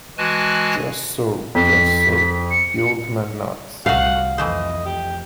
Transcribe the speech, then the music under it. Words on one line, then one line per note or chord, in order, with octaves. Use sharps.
"Just so, just so," the old man nods.
E3 G#3 F#4 G#5 A5 F#6
F2 B6
C#7
C2 A3 F#4 F5 F#5
F2 E3 A3 C5 D#5
G4